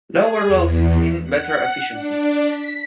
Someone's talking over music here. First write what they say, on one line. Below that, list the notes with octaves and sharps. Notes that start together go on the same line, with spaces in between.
Lower losses mean better efficiency.
G#4
E2
F#5
D4
B6